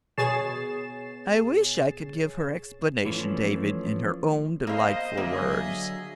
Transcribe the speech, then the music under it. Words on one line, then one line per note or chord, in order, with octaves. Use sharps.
I wish I could give her explanation, David, in her own delightful words.
B2 G#4 C#5 A6 C7 E7
E3 F3 A3 C#4 D4
A#3 C5 D#5 F5
D3 F#3 A#3 G#4 D#5 E5